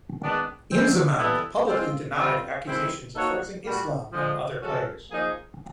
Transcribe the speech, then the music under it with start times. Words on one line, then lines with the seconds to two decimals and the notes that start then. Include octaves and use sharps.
Inzamam publicly denied accusations of forcing Islam on other players.
0.21 D#3 G#3 B3 D4
0.70 G#3 C4 F4
1.18 E3 G3 B3 E4 A4
1.68 G#3 C4 F4
2.16 D3 G3 C4 F4
2.66 D#3 G#3 C4 E4
3.14 A#3 D#4 F#4 A4 C#5
3.63 A#2 G3 A#3 D4 F#4
4.12 D3 F3 G#3
4.61 F3 G#3 C#4 F#4 A4
5.10 F3 A#3 D#4 G#4